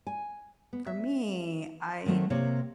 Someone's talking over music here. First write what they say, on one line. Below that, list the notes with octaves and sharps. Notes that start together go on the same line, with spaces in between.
for me, I
G#5
B3
E5
D#3 F#3 A3 C4
C3 A#3 C#5